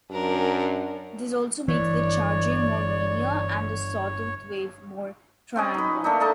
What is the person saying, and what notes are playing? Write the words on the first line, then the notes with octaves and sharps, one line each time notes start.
This also makes the charging more linear, and the sawtooth wave more triangular.
F#2 D4 A#4
G1 E3 C#5 D5
C4 C#4 D#5
D#4 B4
A3 A#3 D4 D#4
A4 A#4 D#5 A5